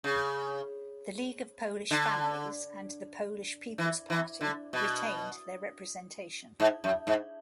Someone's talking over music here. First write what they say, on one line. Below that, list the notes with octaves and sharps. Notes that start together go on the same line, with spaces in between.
The League of Polish Families and the Polish People's Party retained their representation.
C#3
D3
E3
E3
D3
B2
G#2
F#2
G#2